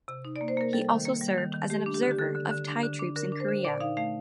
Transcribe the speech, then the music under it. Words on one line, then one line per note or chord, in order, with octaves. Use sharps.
He also served as an observer of Thai troops in Korea.
C3
D#4
D5
A#3
C5
A#3 A#4
G3 A4
D#3
A#3
G3
D#3
D#3
A3 G4
D4
G4
D3
G4
D3 A4
D3
D3
D4
D3
D4
D3 A#4
D4
C5
D3
A#2 D5
D#4 F5
A3 F5